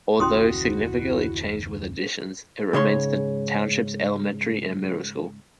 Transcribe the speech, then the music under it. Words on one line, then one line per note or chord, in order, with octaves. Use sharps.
Although significantly changed with additions, it remains the township's elementary and middle school.
F#1 D#2 C#4 E4 F#4 C6 D#6
G#2 C#3 C#5 C6